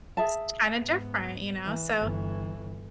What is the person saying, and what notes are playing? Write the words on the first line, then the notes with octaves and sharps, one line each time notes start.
it's kind of different, you know, so
G#4 E5 A5
G#2 B3
E3
G1 E3